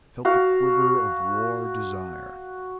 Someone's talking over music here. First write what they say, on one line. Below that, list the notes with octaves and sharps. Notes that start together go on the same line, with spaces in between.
He felt the quiver of war desire.
F#4 F5